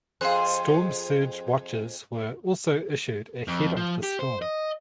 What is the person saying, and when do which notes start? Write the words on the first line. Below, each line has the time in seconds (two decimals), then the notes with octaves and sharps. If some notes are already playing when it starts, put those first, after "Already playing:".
Storm Surge Watches were also issued ahead of the storm.
0.21 F2 G#4 C5 F5 F#6
3.48 F2
3.77 F3
4.03 G4
4.19 C5
4.42 D#5